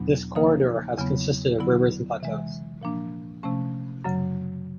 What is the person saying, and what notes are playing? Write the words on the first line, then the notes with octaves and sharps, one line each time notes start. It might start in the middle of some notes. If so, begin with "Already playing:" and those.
This corridor has consisted of rivers and plateaus.
Already playing: E2 B2 F#3 B3 D4
C#3 F3 A#3 D#4
E2 C#3 F#3 B3
D3 F#3 B3 E4
C3 E3 G#3
A#2 F3 A#3 D4
C3 F3 A3 C#4
F#2 C#3 F#3